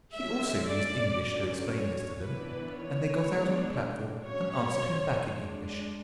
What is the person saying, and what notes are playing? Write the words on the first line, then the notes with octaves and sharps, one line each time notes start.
He also used English to explain this to them, and they got out on the platform and answered him back in English.
D3 G#3 C#4 E5
D5
D3 F#3 C#4
C#5
E3 B3 D4 B4
C#5
G#3 B3 D4
F#3 C#4 C#5
G#3 D4